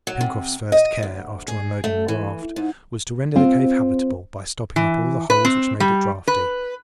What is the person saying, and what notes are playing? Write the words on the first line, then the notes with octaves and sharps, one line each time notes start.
Pencroft's first care, after unloading the raft, was to render the cave habitable by stopping up all the holes which made it draughty.
F#3
C3
D#5
D2
G#4
A3
E3
G#2
C4 F4
E3
B4
C4
G3
B4